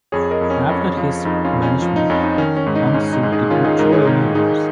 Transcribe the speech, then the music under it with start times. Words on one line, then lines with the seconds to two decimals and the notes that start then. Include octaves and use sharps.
After his banishment, Hongshi did not show any remorse.
0.12 F2 G#4 C#5
0.31 A#4 D#5
0.41 F2
0.50 C#4
0.69 F2
0.75 C#4
0.97 F3
1.25 F2 D#4
1.44 C#4 F4
1.53 F2
1.62 C#4
1.82 F3
1.96 D#4
2.10 F2 C#4
2.23 D#4
2.38 D#3 C#4
2.57 C#4
2.66 G#2
2.75 D#4
2.94 G#2 C#4
3.13 D#4
3.23 G#2
3.32 D#4 G#4
3.50 D#3 C#4 F4
3.65 D#4 G#4
3.79 G#2 A#4 D#5
3.92 G#4 C#5
4.07 D#3 D#4 G#4
4.35 D#3 D#4 G#4